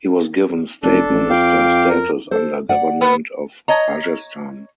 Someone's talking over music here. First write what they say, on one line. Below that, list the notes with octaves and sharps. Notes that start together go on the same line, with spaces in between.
He was given State Minister Status under Government of Rajasthan.
F1 D4 A4
A1
F2 F5 G5 D6
A#4
A4 C5
D5 F#5
B3
C#5 D#5 A#5